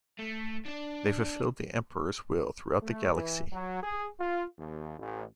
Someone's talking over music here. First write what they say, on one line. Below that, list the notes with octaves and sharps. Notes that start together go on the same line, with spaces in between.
They fulfilled the Emperor's will throughout the galaxy.
A3
D4 D5
A3
E3
F#3
G#4
F4
D#2
A1